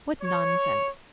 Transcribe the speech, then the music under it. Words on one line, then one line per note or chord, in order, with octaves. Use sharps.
What nonsense!
C#5